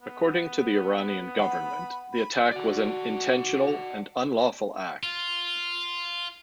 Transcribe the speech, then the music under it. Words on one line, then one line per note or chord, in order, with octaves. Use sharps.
According to the Iranian government, the attack was an intentional and unlawful act.
B3
F#5 B5
B5
F#4 D5 F#5
F4